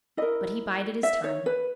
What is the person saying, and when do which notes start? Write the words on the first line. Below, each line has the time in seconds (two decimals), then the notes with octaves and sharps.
But he bided his time.
0.17 E4 A#4 D#5
1.03 E5
1.24 C#5
1.46 B4